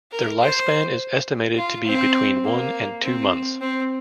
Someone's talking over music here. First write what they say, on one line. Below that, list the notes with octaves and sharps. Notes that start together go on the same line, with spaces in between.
Their lifespan is estimated to be between one and two months.
A#4
C5
F4
C4
A#3
C4
C4